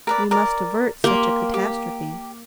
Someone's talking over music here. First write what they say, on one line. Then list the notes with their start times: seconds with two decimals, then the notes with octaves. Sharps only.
We must avert such a catastrophe.
0.07 A#4 B4 D5
0.31 A#4 D5
1.04 A#3 G4 C6
1.54 G4